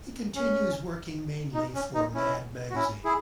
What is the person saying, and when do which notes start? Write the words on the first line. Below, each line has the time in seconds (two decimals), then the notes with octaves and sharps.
He continues working mainly for "Mad" magazine.
0.35 C#4
1.54 D#4
1.75 C#4
1.95 D#4
2.14 C#4 E4
2.71 F#4
2.75 C#4 E4
3.04 E4 G#4